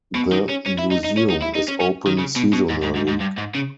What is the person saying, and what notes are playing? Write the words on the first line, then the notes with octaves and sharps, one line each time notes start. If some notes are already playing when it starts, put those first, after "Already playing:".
The museum is open seasonally.
B2
D#3
C#4
C#4
E4
D#4
D#4
C#4
D#4
E4
D#4
C#4
C#4
D#3
C#3
B2
B2
G#2
G#2
G#2
G#2
G2
G#2
C#3